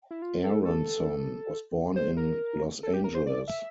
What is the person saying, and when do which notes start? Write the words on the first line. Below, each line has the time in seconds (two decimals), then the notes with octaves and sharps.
Aaronson was born in Los Angeles.
0.11 E4
0.22 F4
0.44 A4
0.65 A4
1.96 C5
2.17 A#4
2.83 A4
2.94 G4
3.04 A#4
3.15 C5
3.27 D5
3.48 E5